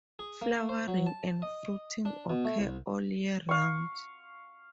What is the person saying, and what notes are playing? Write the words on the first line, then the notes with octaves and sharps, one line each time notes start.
Flowering and fruiting occur all year round.
G#4
A#3
C5
F#3
A5
D#5
D4
B2
A3
C2
F5 C#6